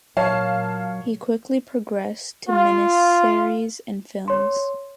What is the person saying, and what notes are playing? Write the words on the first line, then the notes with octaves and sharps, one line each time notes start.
He quickly progressed to miniseries and films.
A#2 F#3 C#5 F5 A5
F4
C#5 C6